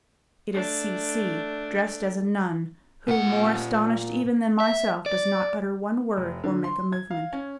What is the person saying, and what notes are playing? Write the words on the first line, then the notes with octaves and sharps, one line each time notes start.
It is C---- C----, dressed as a nun, who, more astonished even than myself, does not utter one word or make a movement.
A3 D4
A#2 F#5
E5
D5
F1
D3
C6
G#6
F5
C#4